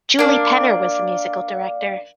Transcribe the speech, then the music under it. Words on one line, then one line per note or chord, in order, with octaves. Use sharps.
Julie Penner was the musical director.
A#3 D4